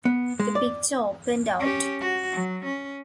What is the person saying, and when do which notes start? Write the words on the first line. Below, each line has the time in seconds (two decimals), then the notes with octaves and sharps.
The picture opened out.
0.05 B3
0.40 G#3
0.55 D5
1.60 C#4 G4
2.00 F#4
2.32 F#3
2.65 C#4